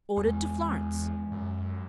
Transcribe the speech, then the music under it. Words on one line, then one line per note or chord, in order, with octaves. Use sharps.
Ordered to Florence.
E2 G#3
F#2